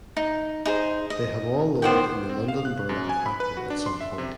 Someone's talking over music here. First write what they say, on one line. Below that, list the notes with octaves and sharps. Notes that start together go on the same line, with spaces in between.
They have all lived in the London Borough of Hackney at some point.
D#4
D#4 G#4 C5
D#5
D#3 B3 C5 D5 G5
C4
F5
F#6
F#2
G#5
B5
B4
F#4
D4
C6
E5
C3